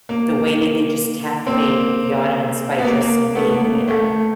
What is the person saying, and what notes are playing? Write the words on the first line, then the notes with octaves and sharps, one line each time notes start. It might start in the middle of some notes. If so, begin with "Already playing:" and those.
the way that they just captivate the audience by just being there.
A#3
A#3 C4
B3
A#3
A#3
A3 B3
A#3
A3